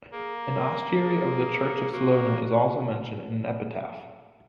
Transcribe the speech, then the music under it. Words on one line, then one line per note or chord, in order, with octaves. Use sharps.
An ostiary of the church of Salona is also mentioned in an epitaph.
A#3 G#4
A#4
A#4
A#4
G#4
A#3 F#4
F#4